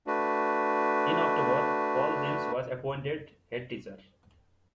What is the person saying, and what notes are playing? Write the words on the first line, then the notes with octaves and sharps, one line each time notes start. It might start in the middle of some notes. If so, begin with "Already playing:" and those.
In October, Paul James was appointed Headteacher.
A3 D4 F#4 B4